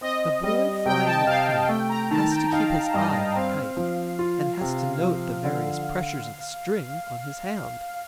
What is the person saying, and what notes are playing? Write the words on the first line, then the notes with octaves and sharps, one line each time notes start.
The boy flying a kite has to keep his eye on the kite, and has to note the various pressures of the string on his hand.
C4 D#5
G3 D#5
C3 G5
A5
C3 F5
F5
A3 G5
A#5
D#3 A5
G5
D#4 F5
G2 D#5
C4 F5
F3
F4
C3
F3
D3